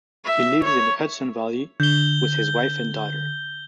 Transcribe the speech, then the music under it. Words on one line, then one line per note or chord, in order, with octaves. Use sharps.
He lives in the Hudson Valley with his wife and daughter.
E5
C#5
D3 G6 G7